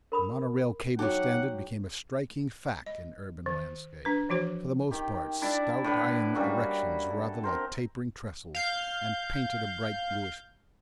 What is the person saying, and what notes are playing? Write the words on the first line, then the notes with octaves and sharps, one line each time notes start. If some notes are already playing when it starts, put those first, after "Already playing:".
The mono-rail cable standard became a striking fact in urban landscape, for the most part stout iron erections rather like tapering trestles, and painted a bright bluish green.
A#4 B5 D#6
F#3 D#4 G4 F#5 D6
D#5
D#3
D4 B4
E3 F3 F#4 C5
D#3 G4
D4 E4 D5 A5
A2 D3 B4
G3 A#3 C#4 F#4
A4
C4 A#4 C5
F5 G6